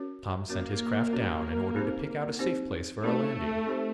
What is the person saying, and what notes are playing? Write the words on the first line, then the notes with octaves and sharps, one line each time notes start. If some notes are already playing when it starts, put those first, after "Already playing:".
Tom sent his craft down, in order to pick out a safe place for a landing.
Already playing: C#4 F#4 A#4 C#5
A#3 C#4 F#4 A#4 C#5
C#4 F#4 A#4 C#5
C4 D#4 G4 C5
C4 D#4 G4 C5
A3 C4 D#4 G4 C5
C4 D#4 G4 C5